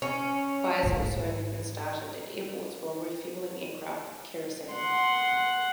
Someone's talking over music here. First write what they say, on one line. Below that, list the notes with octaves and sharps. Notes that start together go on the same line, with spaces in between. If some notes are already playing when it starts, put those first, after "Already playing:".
Fires have also been started at airports while refueling aircraft with kerosene.
C#4
G#2 E4
F#5 C6